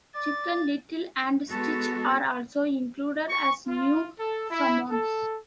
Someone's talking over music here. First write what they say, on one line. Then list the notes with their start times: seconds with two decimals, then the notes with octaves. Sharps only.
Chicken Little and Stitch are also included as new summons.
0.15 D5 A6
1.49 G#3 B3 F#4 A4
3.29 C#6
3.67 F4
4.19 A4
4.51 E4
4.90 A4